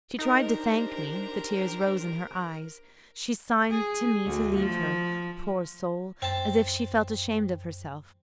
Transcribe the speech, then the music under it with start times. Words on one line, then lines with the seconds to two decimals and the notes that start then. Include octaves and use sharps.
She tried to thank me; the tears rose in her eyes--she signed to me to leave her, poor soul, as if she felt ashamed of herself.
0.19 D4 D#4 G4 A#4 C5
3.71 G#4
4.26 D2
4.58 F3
6.22 F#2 C4 A5